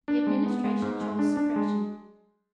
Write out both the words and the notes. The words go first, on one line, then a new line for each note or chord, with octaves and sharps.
The Administration chose suppression.
D4
G#3
B3
G#3
G#2
G#3
D4
D4
G#3